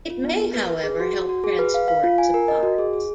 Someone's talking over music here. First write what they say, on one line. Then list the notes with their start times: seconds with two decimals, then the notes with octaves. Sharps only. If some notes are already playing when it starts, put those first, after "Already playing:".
It may however help transport supplies.
0.10 F4
0.24 B3
0.40 A#4
0.54 B4
0.70 B4
0.84 G#4
1.00 F#4
1.14 F#4
1.29 F#4
1.44 G#4
1.59 B4
1.74 F5
1.88 F5
2.03 F4
2.18 G#5
2.34 A#4
2.48 D#5
2.63 F#4
2.78 G#4
2.93 G#4